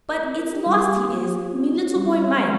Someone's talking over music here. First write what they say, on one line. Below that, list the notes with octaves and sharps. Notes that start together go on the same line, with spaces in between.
But it's lost he is, me little boy Mike.
A#4
C4
A#4
G4
G3
G4
A#3
A#3
G4
F4
C#4
F4
C#4
G3
C#4
C#5
G#3